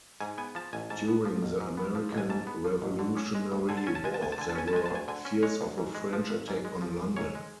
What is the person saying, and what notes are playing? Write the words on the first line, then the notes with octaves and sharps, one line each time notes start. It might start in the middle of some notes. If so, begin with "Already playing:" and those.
During the American Revolutionary War there were fears of a French attack on London.
G#2 G#5
B3 G#5
F3 A5
A1 G#5
G#2 A5
B3
F3
A1
G#2
B3
F3
A1
G#5
G#2 A5
B3
F3
A1
D3
C#4
G#3
D2
D3 G#5
A5
C#4 G#5
A5
G#3 G#5
A5
D2 G#5
A5
D3 G#5
A5
C#4 G#5
A5
G#3 G#5
A5
D2 G#5
D3 G#5
C#4
G#3 C#5
D2
G#2
G#3
F3
G#1
G#2
G#3
F3
G#1
G#2 C#5
G#3